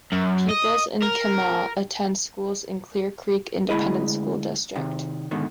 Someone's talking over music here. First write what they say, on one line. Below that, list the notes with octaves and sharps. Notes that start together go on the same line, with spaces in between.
Pupils in Kemah attend schools in Clear Creek Independent School District.
F#2
D#5
A#4
D2 E3 G#3 E4 G#4 D#5
C3 D#3
G#2 B2 D3 D#3